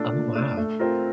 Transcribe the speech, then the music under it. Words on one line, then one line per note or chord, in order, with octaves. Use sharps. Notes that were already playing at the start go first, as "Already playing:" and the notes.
Oh wow.
Already playing: A#2 A3 D4 A4
A#2
A3 D4 A4
A3
C4 F4 A#4